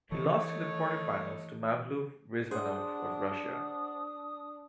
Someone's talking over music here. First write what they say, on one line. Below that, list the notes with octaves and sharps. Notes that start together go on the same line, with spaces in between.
He lost in the quarterfinals to Mavlud Rizmanov of Russia.
E3 A3 D#4 C#5
D4 G#4 C5 F#5 D#6